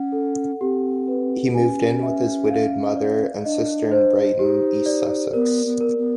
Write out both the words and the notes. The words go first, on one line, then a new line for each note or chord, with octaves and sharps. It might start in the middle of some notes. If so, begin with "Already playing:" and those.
He moved in with his widowed mother and sister in Brighton, East Sussex.
Already playing: C#4 F#5
A4
C4 G4
B4
C#4 G#5
E5
F5
D5
D4 D#5
C5
D#4 G4
D5
B3 A#4
B3
A#4
B3